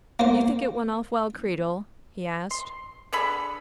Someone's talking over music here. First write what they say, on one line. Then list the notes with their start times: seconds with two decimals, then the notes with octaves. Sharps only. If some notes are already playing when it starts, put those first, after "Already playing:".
"Do you think it went off well, Creedle?" he asked.
0.20 A#3 C5
2.51 C6
3.13 D3 G#4 A4 B5